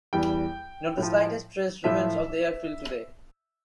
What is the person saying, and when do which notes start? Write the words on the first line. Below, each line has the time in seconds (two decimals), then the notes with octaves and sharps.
Not the slightest trace remains of the airfield today.
0.13 E2 E3 G3 G5
0.98 A2 F3
1.84 A2 F3 E5